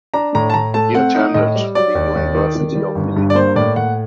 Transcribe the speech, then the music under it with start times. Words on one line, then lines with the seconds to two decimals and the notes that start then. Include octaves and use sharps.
He attended the University of Illinois.
0.14 D4 A#5
0.35 A2 A#5
0.50 A5
0.54 A2 A#5
0.74 A3 A5
0.95 C4 F#5
1.15 D#4
1.34 A2 D#5
1.55 G3
1.75 F#3 D5
1.95 D#2
2.15 D#2
2.35 D#3
2.55 D#3
2.75 G3
2.95 G1
3.16 G2
3.30 D5
3.35 A#3 C5
3.56 A2 D5
3.76 A2 F#5